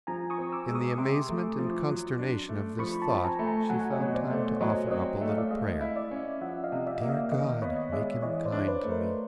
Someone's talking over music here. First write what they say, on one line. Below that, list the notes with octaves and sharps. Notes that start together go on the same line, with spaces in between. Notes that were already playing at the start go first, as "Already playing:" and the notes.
In the amazement and consternation of this thought she found time to offer up a little prayer: "Dear God, make him kind to me."
F3 G#5 A#5
C#6 D#6
C4
D6 E6
G#3
C#6 D#6
C3 C6 D6
A3
F3
F#3
D4
A3
F3 B5 C#6
A5 B5
C4
G#5 A#5
A3
G#5 A#5
F#3 F#5 G#5
C#5 D#5
B2
C5 D5
A3
C5 D5
F#3 C#5 D#5
D5
C4 C#5 D#5
A3 E5
F5
D5 E5
G#3 D#5 F5
E4
D5 E5
C#4
F3 E5 F#5
D#5 F5
C3
D5 E5
A#3
D#5 F5
D#3 D#5 F5
B3 C#5 D#5
G#3 D5 E5
E3 C#5 D#5
C5 D5
D4
B4 C#5
A3
A#4 C5